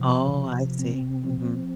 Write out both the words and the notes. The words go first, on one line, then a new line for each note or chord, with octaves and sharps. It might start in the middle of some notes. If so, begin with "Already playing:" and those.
Oh, I see. Mhm.
Already playing: C3 F3
C3
C4
F3